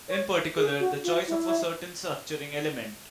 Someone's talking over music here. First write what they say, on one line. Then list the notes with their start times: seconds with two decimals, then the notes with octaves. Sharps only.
In particular, the choice of a certain structuring element.
0.08 C#5
0.56 G#4
0.79 F#4
1.03 F4
1.27 E4